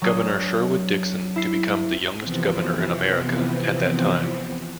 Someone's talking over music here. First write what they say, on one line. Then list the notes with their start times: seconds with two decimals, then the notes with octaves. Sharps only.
Governor Sherwood Dixon to become the youngest governor in America at that time.
0.02 F#3 D4 G#4
1.36 E4 C7
2.21 C3 E3 F3 B3 C4